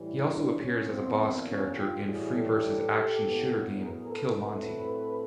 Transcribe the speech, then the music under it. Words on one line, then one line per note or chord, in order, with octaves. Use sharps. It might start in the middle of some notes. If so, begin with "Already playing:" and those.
He also appears as a boss character in Freeverse's action shooter game "Kill Monty".
Already playing: A2 E3 G3
C4 D4
C#4
E2 B2 F#3 A#3 C4
C#4
F4 G4
A2 E3 G3 F#4 G#4
G4 A4
A2 F#3 B3
G#4 A#4
A4 B4
A2 F#3 A3 C4 A4 B4